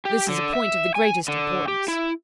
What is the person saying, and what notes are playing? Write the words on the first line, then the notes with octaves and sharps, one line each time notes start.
This is a point of the greatest importance.
G4
D3
E5
G#5
D3
G4
E4